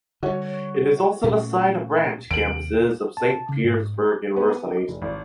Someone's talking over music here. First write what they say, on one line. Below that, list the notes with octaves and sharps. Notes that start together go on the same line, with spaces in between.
It is also the site of branch campuses of St. Petersburg Universities.
D3 G3 F#4 C#5
A#2 A3 C#4
D#2 C3 D7 F#7
A5
C#3
G#2
B3
D#4
F1
G#1